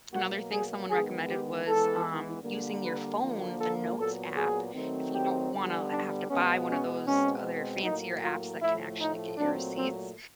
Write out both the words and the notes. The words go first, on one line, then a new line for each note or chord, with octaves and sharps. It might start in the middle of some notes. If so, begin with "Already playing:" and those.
another thing someone recommended was, um, using your phone, the notes app. If you don't wanna h have to buy one of those other fancier apps that can actually get your receipts,
B2 F#3 A#3 F#4
G#4
D#3 G#3 B3 G#4
G4
E3 G#3 B3 A4
D3 G3 A#3
B4
D3 F3 A#3
A4
A#2 F#3 B3 A4
G#4
D#3 F#3 A3 C4
G4
D3 G3 B3
D4
B2 G#3 B3 C#4
C#4
B2 G#3 C4 C#4
A2 F#3 A#3 D#4
F4
A2 F3 A3 E4
D#4
A#2 F#3 A3 C4 D4
C4